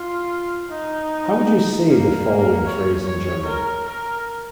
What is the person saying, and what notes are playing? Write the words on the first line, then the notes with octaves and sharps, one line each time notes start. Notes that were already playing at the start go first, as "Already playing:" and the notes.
How would you say the following phrase in German?
Already playing: F4
D#4
A#3
A#3
C#5
C#5
A#4
A#4